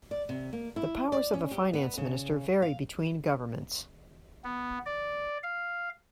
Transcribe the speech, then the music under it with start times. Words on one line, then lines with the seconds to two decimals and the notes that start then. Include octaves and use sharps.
The powers of a finance minister vary between governments.
0.11 D5
0.29 C3
0.53 A#3
0.76 E4
1.12 D5
1.34 C#4
1.51 G4
1.73 B3
1.98 C#3
2.62 F5
4.44 B3
4.86 D5
5.43 F5